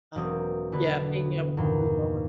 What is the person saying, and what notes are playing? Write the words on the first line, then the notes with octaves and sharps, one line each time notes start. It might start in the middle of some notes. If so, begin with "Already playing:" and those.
um, yeah, being able to move on.
E1 F#3 A#3 C4 D5 D#6
E2 D3 B3 B4 D5
E2 G2 A#2 D#3